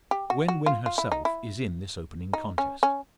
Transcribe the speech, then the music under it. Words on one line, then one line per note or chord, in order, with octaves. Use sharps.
Gwen Wynn herself is in this opening contest.
G4
F#4
F#4
F4
F4
E4
D#4
E4
D#4
C#4
C#4